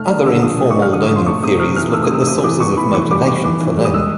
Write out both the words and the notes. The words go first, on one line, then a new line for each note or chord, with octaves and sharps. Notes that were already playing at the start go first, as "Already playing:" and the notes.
Other informal learning theories look at the sources of motivation for learning.
Already playing: A3 F6
D4
D3 E6
F3 D#6
A3
C#6
D4
F6
D3 D#6
F3
C6
A3 C#6
C3 D#6
C3 F6
E3 F6
A3 E6
D#6
C3 E6
C3 D#6
E3 D6
B3 C#6
E3 B5
E3 C#6
G3 D6
B3 D6
E3 D6
E3
G3
D#6
G#3 E6